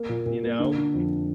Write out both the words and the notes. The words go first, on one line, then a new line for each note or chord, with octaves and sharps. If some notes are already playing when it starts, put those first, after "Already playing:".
you know, i
Already playing: A#3
A#2
A#2
A#3
D3
D3
F2